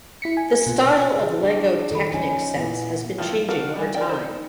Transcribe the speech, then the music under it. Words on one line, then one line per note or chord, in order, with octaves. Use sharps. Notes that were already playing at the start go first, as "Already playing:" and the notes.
The style of Lego Technic sets has been changing over time.
E4 B6 C#7
G#5
B2 F4
C#3 G#4
D4 F#4
A2 D#3 F#3 A4 B5
F3 C#4 D#4 G#5
A#2 E3 B3
D#3 F3 A3 E4 F4
D4 F#4 A#4 F5
E3 G3
A#4 D5 G5
D#4 C5